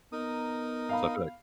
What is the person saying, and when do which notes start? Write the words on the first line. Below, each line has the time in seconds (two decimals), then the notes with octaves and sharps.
so I feel like
0.12 B3 D#4 A#4 D#6
0.89 F5 B5